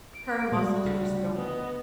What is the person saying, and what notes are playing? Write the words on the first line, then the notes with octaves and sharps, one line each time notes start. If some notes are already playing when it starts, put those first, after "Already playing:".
Her muscles just don't
D7
A#2 G3 G#3 F#4 E5
D2 C#3
B3 D#5